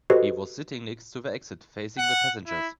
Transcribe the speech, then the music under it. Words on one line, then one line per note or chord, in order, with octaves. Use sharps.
He was sitting next to the exit, facing the passengers.
F#4 G4 A4 B4 C5 D#5
F#5
E4